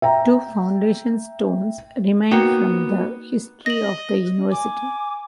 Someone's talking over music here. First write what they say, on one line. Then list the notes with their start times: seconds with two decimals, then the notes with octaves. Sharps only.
Two foundation stones remain from the history of the university.
0.02 E5 G5 A#5
2.31 A#3 B3 D#4 F#4 C#5 G5
3.66 D#5 A#6 F#7
4.51 G#5 D6